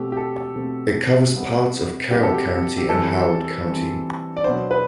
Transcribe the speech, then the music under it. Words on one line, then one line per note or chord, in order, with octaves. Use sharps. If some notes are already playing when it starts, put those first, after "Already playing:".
It covers parts of Carroll County and Howard County.
Already playing: B2 A3 C4 G4
G4
A4
B2 A3 C4
C3 G3 B3
C3 G3 B3 G4
A4
G4
G4
E3 G3 C4 A4
E3 G3 C4
D5
B2 F#3 B3 D4 C5
B4